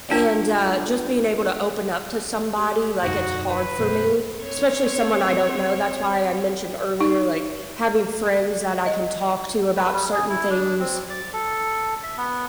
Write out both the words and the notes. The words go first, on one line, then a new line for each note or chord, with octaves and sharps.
and, uh, just, being able to open up to somebody, like, it's hard for me, especially someone I don't know, that's why I mentioned earlier, like, having friends that I can talk to about certain things,
D4 F4 A5
G4
E1 F#2 D3 D#4 F#4
B4
F#2 B2 C5
C4 C#5
D#4
D#5
B4
G3
G#4
E4
D4
C4
D5
A4
E5
B3